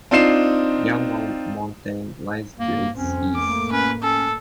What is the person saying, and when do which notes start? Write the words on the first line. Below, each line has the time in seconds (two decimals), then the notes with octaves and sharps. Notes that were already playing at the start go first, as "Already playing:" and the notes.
Yunlong Mountain lies to its east.
0.11 C4 D4 D#4 F4 C7 E7
2.60 G2 A#3
2.96 C2 F2 C4 C#4
3.35 A2 A3 A#3 D6
3.72 C#4 B4
4.02 C#4 A4